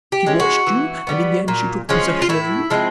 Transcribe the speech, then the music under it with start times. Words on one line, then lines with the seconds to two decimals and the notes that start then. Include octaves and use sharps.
She watched you, and in the end she took possession of you?
0.12 G4
0.26 G#3 C#4
0.40 F#4
0.67 E3
1.07 G3 B3
1.48 A#2
1.89 F3 G#3 C#4
2.22 F4
2.29 A2 E4
2.70 F3 G#3 C4